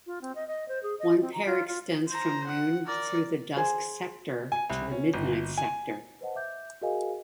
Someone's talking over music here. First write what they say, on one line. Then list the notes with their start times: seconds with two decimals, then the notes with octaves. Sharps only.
One pair extends from noon through the dusk sector to the midnight sector.
0.06 F4
0.21 C4
0.35 D#5
0.47 D#5
0.68 C5
0.83 G#4
0.99 D#5
1.21 C4
1.33 A#5
1.46 F4
1.67 F4
2.08 C5 A#5
2.47 F#5
2.86 A#4 D5
3.56 G#4 C5
4.52 G#5
4.70 C2
4.91 C#4
5.14 G1
5.58 G#5
6.21 B4 C5 D#5 F#5 A5
6.35 E5 D6 G6
6.81 F#4 G#4 A#4 D#5 F5 G#5